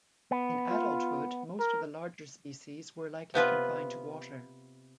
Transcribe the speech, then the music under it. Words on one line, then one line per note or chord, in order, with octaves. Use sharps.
In adulthood, most of the larger species were likely confined to water.
B3
F4
A#4
C3 B3 F4 B4